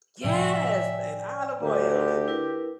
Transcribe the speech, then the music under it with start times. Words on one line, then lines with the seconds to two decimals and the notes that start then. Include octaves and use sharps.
Yes! And Olive Oyl and
0.24 A2 C3 F3 D5 E5 G5 G#5
1.62 D2 G4
2.28 E4 A#4 B4